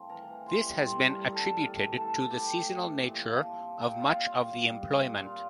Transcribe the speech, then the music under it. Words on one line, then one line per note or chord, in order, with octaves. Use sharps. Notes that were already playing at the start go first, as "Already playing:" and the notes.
This has been attributed to the seasonal nature of much of the employment.
Already playing: A2 F3 C4
E3 A#4 A#5
E3
C3 C5 C6
G3
G3 C5 C6
G3
A#4 A#5
G3 A#5
A4 A5
C3
A2 A#4 A#5
E3
A2 A4 A5
A2
A3 G4 G5
A2
A2
E3
A#2
A#2
F3
C4
A#2 F5
G5
A#2 F4 F5
C4
C4
G3
A#2
A#2
A#2
A#2 F4 F5